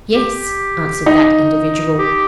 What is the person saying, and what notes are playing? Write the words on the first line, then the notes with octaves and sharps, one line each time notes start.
"Yes," answered that individual.
G4
D#4
G4